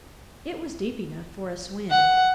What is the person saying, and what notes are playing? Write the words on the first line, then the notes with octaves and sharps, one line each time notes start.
It was deep enough for a swim.
F#5